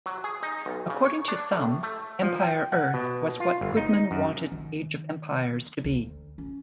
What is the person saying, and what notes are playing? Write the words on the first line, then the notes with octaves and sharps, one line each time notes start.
According to some, "Empire Earth" was what Goodman wanted "Age of Empires" to be.
F#3
G#4
D#4
B1
C#3
C#5
D4
A2
A3
F3
G5
F#5
B2
F4
G1
D#4
F#2
D#3
D2
C#4